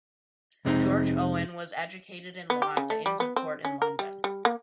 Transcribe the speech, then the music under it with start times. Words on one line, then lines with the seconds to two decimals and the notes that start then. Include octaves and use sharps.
George Owen was educated in law at the Inns of Court in London.
0.65 F2 C3 G#3 C4 C#4 D#4
2.50 B3
2.62 G4
2.77 C#3
2.90 A3
3.06 G3
3.20 B3
3.36 C4
3.65 C#4
3.82 A#4
3.99 G3
4.24 G3
4.45 A#3